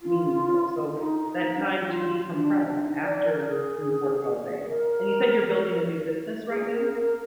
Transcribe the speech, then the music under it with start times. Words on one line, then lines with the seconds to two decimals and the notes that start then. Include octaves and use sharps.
meaningful, so, that time to decompress after you've worked all day and you said you're building a new business, right now?
0.01 F4
0.94 D#4
1.24 D#4
1.55 D4
1.86 F4
2.32 D4
2.79 D#4
3.02 D5
3.25 A#4
3.48 G#4
4.64 A#4
6.49 G#4
6.71 A#4
6.94 A#4